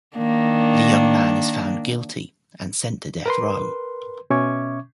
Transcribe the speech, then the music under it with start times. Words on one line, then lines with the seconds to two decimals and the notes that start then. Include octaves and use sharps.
The young man is found guilty and sent to death row.
0.17 D#3 A#3 D4
3.26 A#4 B4 C6
4.30 B2 C#4 E5 C#6 D6 G#6